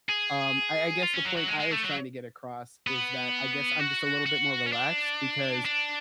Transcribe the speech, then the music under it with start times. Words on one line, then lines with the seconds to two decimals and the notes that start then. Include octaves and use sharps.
Um, I I guess the point I was trying to get across is that I guess I'm just a little bit more relaxed, because
0.09 G#4
1.03 F4
1.14 C#4
1.25 F#3
1.37 F#3
1.48 G#3
1.60 G#3
1.71 A3
1.83 F#3
2.87 B3
3.79 F#4
4.26 F#4
4.66 C#4
4.72 D4
5.66 D4